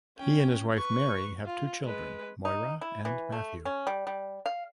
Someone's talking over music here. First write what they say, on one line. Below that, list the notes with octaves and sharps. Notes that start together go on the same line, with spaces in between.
He and his wife, Mary, have two children, Moira and Matthew.
C#4 G5
B4 C#6
F4
G#3 B4
D#4
E4
E3
A3
C#4
G3
G3
F5